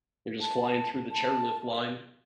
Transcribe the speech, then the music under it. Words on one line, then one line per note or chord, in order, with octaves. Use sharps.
you're just flying through the chairlift line.
A5
A5